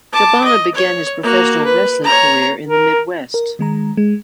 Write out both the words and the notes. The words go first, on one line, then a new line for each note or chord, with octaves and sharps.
Cabana began his professional wrestling career in the Midwest.
A5 D6
D#5
C#5
A#3 F#4
B4
C#5 A#5
A#4
A#4
D#3 G#3 A#5
G#3